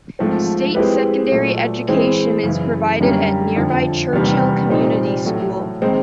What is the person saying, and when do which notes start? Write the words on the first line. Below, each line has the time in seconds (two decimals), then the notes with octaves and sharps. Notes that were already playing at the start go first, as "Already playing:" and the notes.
State secondary education is provided at nearby Churchill Community School.
0.19 G#2 F3 A3 C4
0.75 G#3 C4 E4 G4 B4
1.31 A#2 F#3 A3
1.88 E3 G#3 C4
2.43 F#2 C#3 E3
3.01 F#2 D3 G3 A#3 C#4
3.56 F2 D3 F3
4.13 E2 C3 D#3 G3 A#3
4.69 A#2 G3 C4 D#4
5.25 A2 F#3 A3
5.82 D#3 G#3 C4 D#4